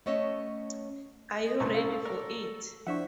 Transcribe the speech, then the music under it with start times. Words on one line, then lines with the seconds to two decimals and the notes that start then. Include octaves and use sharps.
Are you ready for it?
0.06 A3 B3 C#4 C#5 D#5 E5
1.45 D#5
1.60 C2 F#2 A#2 G#3 C#6
1.74 A4 F5
2.05 A#4 D5
2.87 F3 D4 E4 C5 E5 F#5 C#6